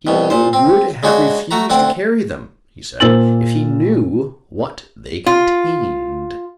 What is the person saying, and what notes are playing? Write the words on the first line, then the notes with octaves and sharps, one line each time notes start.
He would have refused to carry them, he said, if he knew what they contained.
C2 B2
A#2 C5
C4
C#3 G#3 D4 F#4
A3 F#4 A#5
D2 C4 F#5
A#2 A#3 C5 E6 A6 F#7
F4